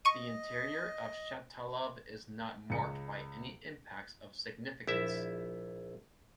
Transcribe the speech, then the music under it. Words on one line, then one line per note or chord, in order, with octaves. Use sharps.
The interior of Shatalov is not marked by any impacts of significance.
D#5 C#6 D#7
C#2 C#7
A#1 E4 E5